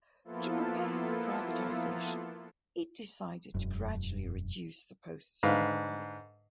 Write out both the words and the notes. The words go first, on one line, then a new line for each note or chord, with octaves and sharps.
To prepare for privatization, it decided to gradually reduce the post's monopoly.
F3 A#3 B3 E4 F4 A4
E1 F#2
G#2 D3 B4 F5